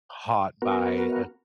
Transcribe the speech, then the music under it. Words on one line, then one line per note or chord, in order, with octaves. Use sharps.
taught by a
B3 F#4 A#4